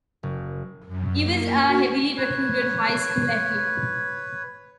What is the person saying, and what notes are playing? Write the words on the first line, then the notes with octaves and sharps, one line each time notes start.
He was a heavily recruited high school athlete.
F#1
F#2
A#3
F#4
B4 C#5